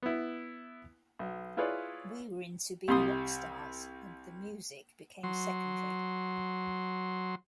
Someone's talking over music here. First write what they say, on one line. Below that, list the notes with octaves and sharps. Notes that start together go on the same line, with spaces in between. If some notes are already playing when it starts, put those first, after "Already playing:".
We were into being rock stars and the music became secondary.
B3 E4
B1
E4 F4 G#4 B4 C#5 D5
C2 C3 G3 C6 D#6
F#3 C6